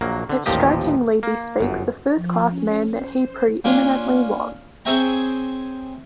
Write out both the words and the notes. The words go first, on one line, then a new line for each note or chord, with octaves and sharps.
It strikingly bespeaks the first-class man that he pre-eminently was.
A#1 F#3 A#3
D3
A1 D#2 A#2 F3 G4 D#5
A#3
G1 F#2
F3
C#4
C5
A#3 C#4 D4 F4
C4 G#4 C#5 E5 G5 A#5